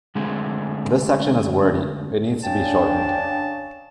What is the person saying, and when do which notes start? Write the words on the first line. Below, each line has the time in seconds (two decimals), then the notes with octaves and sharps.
This section is wordy, it needs to be shortened.
0.15 D3 G#3 A3 C4
2.44 C#3 D4 G5 A5